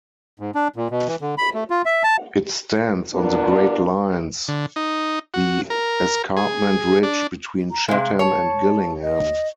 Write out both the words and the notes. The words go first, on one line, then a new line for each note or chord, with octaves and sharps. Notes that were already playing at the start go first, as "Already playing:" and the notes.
It stands on the Great Lines, the escarpment ridge between Chatham and Gillingham.
G#2
D4
A#2
B2
E3
D3
B5
A3
F4
E5
A5
A#2 A#3 B3 D4
D3
D#4
F#4
A#4
G#4
D4
A#5
C3 G#3 F5
C#5 A5
D#5